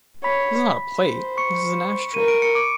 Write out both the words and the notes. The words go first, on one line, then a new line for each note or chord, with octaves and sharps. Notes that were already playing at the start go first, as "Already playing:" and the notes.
This is not a plate! This is an ashtray.
C#5 B5 B6
C5
C#6 C#7
A#4 D#7
D7
C#7
D6 D7